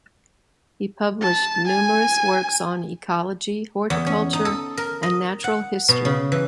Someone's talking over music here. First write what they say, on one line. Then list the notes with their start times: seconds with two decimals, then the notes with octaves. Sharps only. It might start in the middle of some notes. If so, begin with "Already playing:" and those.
He published numerous works on ecology, horticulture, and natural history.
1.21 A5
1.67 G#5
3.90 E2
4.06 C#4
4.33 D#4
4.45 A4
4.77 A#4
5.03 D#5
5.44 F#5
5.89 B2
6.05 C#3
6.32 E3